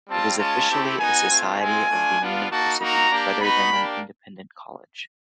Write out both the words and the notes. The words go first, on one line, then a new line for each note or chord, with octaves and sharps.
It is officially a society of the university rather than an independent college.
G3 C4 F4 A5
G#3 C#4 F4 A5
A3 C4 E4 G4
B3 D#4 F#4 G#5
A3 C4 F4
G#3 C4 F4 G#5
A3 D4 F4
B3 D4 F4
A#3 D#4 F#4 A5
A#3 D#4 F#4 A#5
A#3 D4 G4
B3 D#4 F#4 B5
A#3 D4 G4